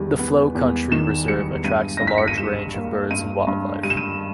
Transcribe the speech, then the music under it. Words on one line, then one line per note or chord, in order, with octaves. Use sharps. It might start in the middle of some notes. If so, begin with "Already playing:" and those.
The Flow Country reserve attracts a large range of birds and wildlife.
Already playing: E2 D#3 G3
B3
E2
D#3 E7
G3 C#7
G2 D#7
G2 A#6
B6
C#7
D#7
G3 E7
A#3
G2 D#7
G2
G3 D#7
E7
D#7